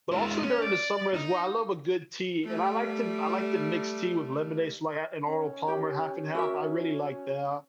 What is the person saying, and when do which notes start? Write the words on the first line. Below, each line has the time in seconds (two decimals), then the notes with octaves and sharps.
but also during the summer as well, I love a good tea and I like to m I like to mix tea with lemonade, so, like, I an Arnold Palmer half and half, I really like that.
0.11 G#3 E4
0.42 C#4
0.62 D5
1.14 D#4
2.44 G3 A3
5.27 C#4
5.68 G4
6.35 F#4 A#4 E5